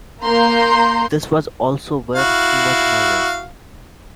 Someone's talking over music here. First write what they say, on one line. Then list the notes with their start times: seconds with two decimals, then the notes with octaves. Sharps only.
This was also where he was murdered.
0.22 A#3 A#5 C6 G6
2.16 E4 F#4 F5